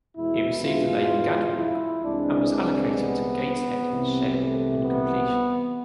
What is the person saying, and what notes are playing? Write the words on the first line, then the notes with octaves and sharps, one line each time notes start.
It received the name "Gadwall", and was allocated to Gateshead shed on completion.
E2 B2 G#3 E4
F4
E4
C2 C3 E3 G#3 D4
D4
B3
C2 C3 E3
A3
B3